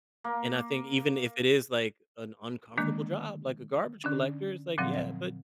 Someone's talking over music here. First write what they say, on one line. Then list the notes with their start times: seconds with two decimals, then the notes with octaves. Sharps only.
and I think even if it is like an uncomfortable job, like a garbage collector, it's like, "Yeah, but
0.24 A#3
2.77 D3 D#3 G#3 A#3 D4
4.04 D3 C#4 D4
4.78 A#2 D3 F3 F#3 C4